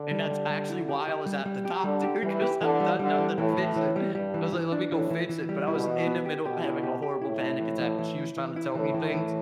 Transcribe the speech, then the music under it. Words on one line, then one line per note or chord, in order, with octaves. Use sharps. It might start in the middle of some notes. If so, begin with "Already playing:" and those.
and that's actually why I was at the doctor 'cause I've done nothing to fix it. I was like, "Let me go fix it," but I was in the middle of having a horrible panic attack, but she was trying to tell me things,
Already playing: D3
G3
G3
G3
E4
G4
G4
G3
G3
G4
D3 G3
G4
E3 G3
G4
D3 E3
G3
D3 G3
E3
A2 E3
E3
E3
G3
G2 G3
E3
E3
D4
A2 E3
E3
E3
G3
B2 E4
E3
B3
G4
B2 G4
E4
G4
G4
A2 E4
E4
E3
E3
E3
E4
E3
E4
A2 E3
E3
E3